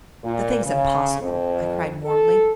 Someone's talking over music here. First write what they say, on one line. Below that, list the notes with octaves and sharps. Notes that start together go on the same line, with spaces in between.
"The thing's impossible!" I cried warmly.
A#2
C#3
F2
A4